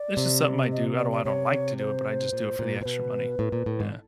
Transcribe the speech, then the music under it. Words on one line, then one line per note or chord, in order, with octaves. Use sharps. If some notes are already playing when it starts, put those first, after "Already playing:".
it's just something I do, I don't I don't like to do it, but I just do it for the extra money, yeah.
Already playing: D5
C3
D#5
D5
D5
C3 C#5
C5
A#2
A#2
A#2 C5
B2 B4
A2
A#2
A2
G#2